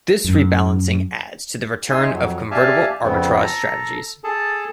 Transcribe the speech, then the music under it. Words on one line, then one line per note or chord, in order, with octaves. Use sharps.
This rebalancing adds to the return of convertible arbitrage strategies.
F#2
D#4 E5 G#5 C6
F2 F#3
G4 D5 E5 F5 G#5 A5
F2 C#3 B3 C4
A4 A#5
G#4 A4 A5